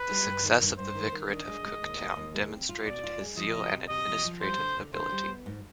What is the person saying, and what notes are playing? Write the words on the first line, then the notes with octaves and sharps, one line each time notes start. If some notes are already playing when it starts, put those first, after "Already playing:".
The success of the Vicariate of Cooktown demonstrated his zeal and administrative ability.
Already playing: B4
G3
G2
D#3
G2
G2 C5
D#3
D#3
D4 D#5
G#3
G#3
D#2
D#2
D#2
G#3
C4
F4
B2 D5
F4
G#3
F3 D#5
C3
C3
C3 D#5
F3
F3
G3 C5
D3
D3
D3 C5
G3
B3
G#2